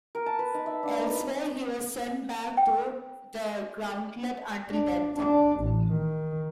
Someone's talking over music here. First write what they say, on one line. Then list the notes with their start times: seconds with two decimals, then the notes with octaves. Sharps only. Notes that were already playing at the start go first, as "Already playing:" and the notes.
Elsewhere, he was sent back through the gauntlet until death.
0.15 A#4
0.26 A5
0.39 B4
0.54 D#4
0.66 E5
0.83 D4
0.97 D#4
1.12 B4
2.57 G5
4.70 D4
5.18 D4
5.61 A1
5.92 D#3